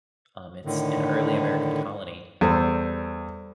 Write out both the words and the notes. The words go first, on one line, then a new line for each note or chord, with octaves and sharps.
Um, it's an early American colony,
A2 D3 D#3
E2 G3 A4 C5